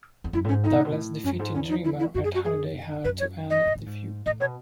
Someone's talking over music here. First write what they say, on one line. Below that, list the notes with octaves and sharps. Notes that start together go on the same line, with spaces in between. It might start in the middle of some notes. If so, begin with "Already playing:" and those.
Douglas defeated Dreamer at Holiday Hell to end the feud.
E2
F#2 E4
A2
G#2 C#4
A2 D#4
B2
A2
B2
A2
F#2 C#4
G#2
E2 C#4
D#4
E4
E4
F#2 F#4
G#4
F#4
G#4
F#2 B4
C#5
D#5
G#2
A2
G#2
A2 D#5
B2 C#5